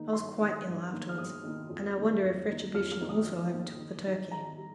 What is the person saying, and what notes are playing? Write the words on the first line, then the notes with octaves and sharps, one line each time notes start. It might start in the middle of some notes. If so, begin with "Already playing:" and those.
I was quite ill afterward, and I wonder if retribution also overtook the turkey.
Already playing: D#3 A#3 D#4
G2 C6
D#3 A#3 D#4
G2
D#3 A#3 D#4
F6
G2 D#6
D#3 A#3 D#4
F2
D#3 A#3 D#4
F2
D#3 A#3 D#4
F2 F6
F6
D#3 A#3 D#4
D#6
F2
D#3 A#3 D#4
D#3
G3 D#4
D#3 A#5
G3